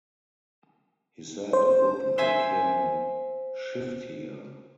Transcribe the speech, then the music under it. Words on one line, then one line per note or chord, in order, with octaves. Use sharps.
He said it would make him shiftier.
C5
C5 E5 G#5